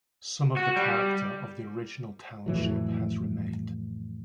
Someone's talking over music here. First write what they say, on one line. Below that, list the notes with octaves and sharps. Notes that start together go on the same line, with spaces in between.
Some of the character of the original township has remained.
F#4
G3
F2 A2 E3 F#3